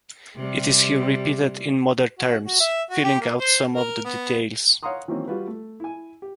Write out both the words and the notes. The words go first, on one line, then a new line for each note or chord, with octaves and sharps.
It is here repeated in modern terms, filling out some of the details.
C3 G3
F#4
F#4
E5
F#4
G4
A#3
C5
A#4
B3
C#5 F5 F#5 A#5 C6 D#6
D#3 E3 F#3 A#3 C4 C#4
G3 F4 F#4 B4
A3
E4 G#5
G4